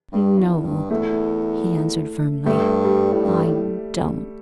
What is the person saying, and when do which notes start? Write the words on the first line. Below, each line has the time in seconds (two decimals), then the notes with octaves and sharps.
"No," he answered firmly, "I don't!"
0.12 G2
0.39 E2
0.65 G2
0.90 E2 A3
2.45 G2 A3
2.85 G3
3.13 A2
3.24 G2
3.44 A2